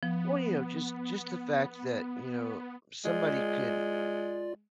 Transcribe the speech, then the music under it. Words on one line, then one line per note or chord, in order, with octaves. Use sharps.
Well, you know, just just the fact that, you know, somebody could
F3 B3
G#3 F4 D5